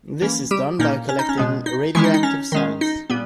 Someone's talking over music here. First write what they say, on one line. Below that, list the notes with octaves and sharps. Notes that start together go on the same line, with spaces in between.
This is done by collecting radioactive signs.
E3 A#3 C#4
G3 G4
A#2 A#3 C#4 D#4
C#4
D#4
C#4
B2 G#3 B3
D#4
D#3 E3 G#3 C#4 E4
D#4
D#4
C#4
D#3 G#3 C#4
D#4
A#2 G3 B3